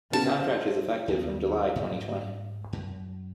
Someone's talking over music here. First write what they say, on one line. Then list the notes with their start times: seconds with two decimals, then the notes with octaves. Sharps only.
The contract is effective from July twenty twenty.
0.10 A#2 C#3 B3 C#4 A4 A5
0.39 C5 C#5
1.08 D#2 B3
1.76 G#2
2.73 F#2